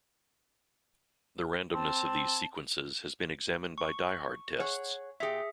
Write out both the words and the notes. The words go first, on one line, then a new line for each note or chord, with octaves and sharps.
The randomness of these sequences has been examined by diehard tests.
C4 A5
C#6
G#4 C#5 F#5
A#2 G4 G#4 E5